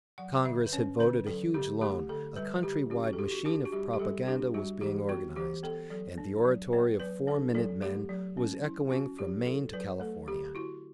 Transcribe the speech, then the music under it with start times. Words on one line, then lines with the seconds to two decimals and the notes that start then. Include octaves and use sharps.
Congress had voted a huge loan, a country-wide machine of propaganda was being organized, and the oratory of Four Minute Men was echoing from Maine to California.
0.18 F#3 F#5
0.45 D3 E5
0.66 B4
0.72 C#4 C#5
0.99 D3 B4
1.26 F#3 A4
1.54 D3 G4
1.82 A3 G4
2.09 D3 A4
2.36 G3 B4
2.63 D3 G4
2.90 C#4 G4
3.04 F#4
3.13 A4
3.19 E4 G4
3.31 F#4
3.45 D4 G4
3.65 F#4
3.72 G3 G4
3.93 G4
3.99 G3 A4
4.27 D4 G4
4.54 G3 F#4
4.81 E3 G4
5.09 B3 F#4
5.36 E3 G4
5.63 B3 A4
5.90 F#3 A4
6.18 D4
6.45 F#3
6.73 B3 C#5
7.00 F#3 B4
7.27 D4 A4
7.54 F#3 A4
7.82 A3 G4
8.09 F#3
8.37 C#4
8.64 E4
8.91 C#4 F#4
9.18 F#3 G4
9.45 E4 A4
9.73 F#3 B4
10.00 A3 A4
10.28 D3 G4
10.55 E4 F#4